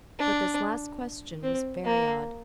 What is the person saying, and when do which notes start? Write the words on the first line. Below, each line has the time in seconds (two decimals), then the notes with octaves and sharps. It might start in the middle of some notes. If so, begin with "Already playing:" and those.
But this last question was very odd.
0.19 D4
1.43 C4
1.84 A#3